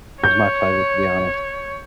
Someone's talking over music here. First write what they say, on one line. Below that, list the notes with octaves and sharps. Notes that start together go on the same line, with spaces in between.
it was my pleasure, to be honest.
C#5 G6